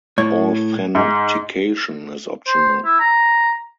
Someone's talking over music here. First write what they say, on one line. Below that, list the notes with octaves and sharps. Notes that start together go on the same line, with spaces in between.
Authentication is optional.
A2 C#5
G#2
C5
E4
A#5